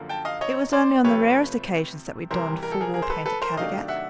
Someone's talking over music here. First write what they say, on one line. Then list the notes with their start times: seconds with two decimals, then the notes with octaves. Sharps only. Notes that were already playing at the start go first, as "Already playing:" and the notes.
It was only on the rarest occasion that we donned full war-paint at Caddagat.
Already playing: F#2 D3 F3 A#3
0.09 G5 A5
0.25 D#5 F5
0.41 C#5 D#5
0.73 C5 D5
1.04 C3 F3 A3 C4 B4 C#5
2.31 E2 C3 E3 G3 A#4 C5
2.63 A#4
2.72 A4
2.81 G#4 A#4
2.94 G#4 A#4
3.02 C5
3.10 A4 B4
3.26 A4 B4
3.42 A#4 C5
3.57 C3 D#3 F#3 A3 D4 D#5 F5
3.88 E5 F#5